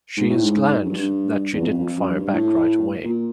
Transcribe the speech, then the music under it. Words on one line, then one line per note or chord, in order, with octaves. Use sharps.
She is glad that she didn't fire back right away.
G#2
A2
G#2
F#2
G2
E2
F2
F2
F#2
G2
A2
A#2